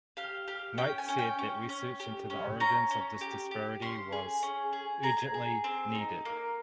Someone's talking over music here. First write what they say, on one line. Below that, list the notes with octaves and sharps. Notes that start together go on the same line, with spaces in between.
Knight said that research into the origins of this disparity was "urgently needed".
G4 F5
G4 F5
C#4 G5
G#5
C#4
G5
C#4
C#4
G4
C#4
C#4 A#5
C#4
G4
G4
C#4 C6
G#4
C#4
G#4
G#4 A#5
G#4
C4
D#4
A#3